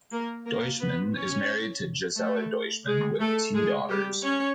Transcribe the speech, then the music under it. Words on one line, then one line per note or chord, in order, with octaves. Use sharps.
Deutschmann is married to Gisela Deutschmann, with two daughters.
A#3 A#4
A#3 A#4
B3 B4
C#4 C#5
A3 A4
G#3 G#4
A3 A4
G#3 G#4
G3 G4
C#4 C#5